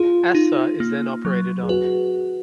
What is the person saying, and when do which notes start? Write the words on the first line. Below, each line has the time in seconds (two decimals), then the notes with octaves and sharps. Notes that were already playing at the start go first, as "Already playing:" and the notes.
Aastha is then operated on.
Already playing: F4 G#4
0.35 D#4
0.80 A#3
1.25 F#3
1.63 G#4
1.69 F#4 B4